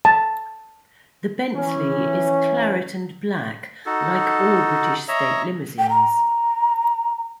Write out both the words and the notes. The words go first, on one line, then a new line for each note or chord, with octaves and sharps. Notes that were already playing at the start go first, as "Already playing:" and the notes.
The Bentley is claret and black like all the British state limousines.
A5
E3 C#4
D#4 F#4 A4
C#5 D#5 E5 A#5
G5
A#5